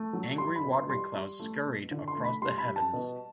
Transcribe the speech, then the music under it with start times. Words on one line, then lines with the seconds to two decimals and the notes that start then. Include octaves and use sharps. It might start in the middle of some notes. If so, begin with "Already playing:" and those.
Angry watery clouds scurried across the heavens.
Already playing: A3
0.13 F#3
0.38 G3 C6
0.56 B5
0.63 B2
0.72 C6
0.89 G3 C6
1.15 G3
1.39 A3
1.65 B2
1.91 D3
2.08 C6
2.16 A3
2.24 B5
2.42 G3 C6
2.58 B5
2.67 G3
2.76 A5
2.93 B2